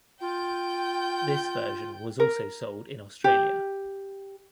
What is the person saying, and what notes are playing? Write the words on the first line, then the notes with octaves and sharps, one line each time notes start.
This version was also sold in Australia.
F4 G5 G6
A#4
G4